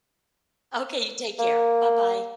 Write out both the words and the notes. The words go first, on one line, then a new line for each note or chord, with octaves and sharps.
Okay, you take care, buh-bye.
A#3